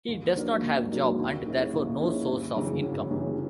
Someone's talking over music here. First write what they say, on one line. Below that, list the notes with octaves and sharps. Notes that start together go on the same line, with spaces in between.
He does not have job and, therefore, no source of income.
D#2
D#3 F#3 A#3 D4
D#2
D#3 F#3 A#3 D4
D#2
D#3 G#3 C#4 E4
D#2
D#3 G#3 C#4 E4
G1
F#2 C#3 E3 G3
G1
F#2 C#3 E3 G3